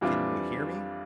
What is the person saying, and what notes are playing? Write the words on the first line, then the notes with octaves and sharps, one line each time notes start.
Can you hear me?
F2 E3 G3 D4 F4